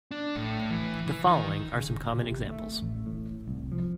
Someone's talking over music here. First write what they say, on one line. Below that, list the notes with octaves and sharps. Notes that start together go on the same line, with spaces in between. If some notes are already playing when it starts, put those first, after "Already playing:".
The following are some common examples.
D4
A2
E3
E3
D#3
C#3
F1
A#2
C3
G#1
A3
A1
A2
C2
F3